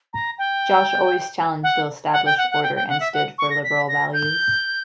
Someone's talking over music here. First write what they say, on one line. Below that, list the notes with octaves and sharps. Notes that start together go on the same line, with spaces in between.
Josh always challenged the established order and stood for liberal values.
A#5
G5
F#5
F#5
G5
F#5
F#5
G5
G5
F#5
E5
F#5
C#6
A#6
B6
A#6
G6